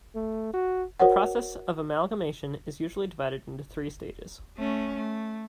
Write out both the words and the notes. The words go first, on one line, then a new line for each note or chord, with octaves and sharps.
The process of amalgamation is usually divided into three stages.
A3
F#4
F#4 A#4 C5 C#5 F#5
A3 C#4
A3